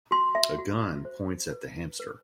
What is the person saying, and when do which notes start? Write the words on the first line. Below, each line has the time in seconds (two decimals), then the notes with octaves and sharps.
A gun points at the hamster.
0.11 F#4 C6
0.35 E5
0.59 F#4
1.05 C5
1.52 B4
2.00 B4